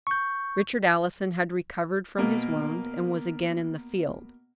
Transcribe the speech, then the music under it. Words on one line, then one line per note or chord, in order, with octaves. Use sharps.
Richard Allison had recovered from his wound, and was again in the field.
C#6 G6
B2 A#3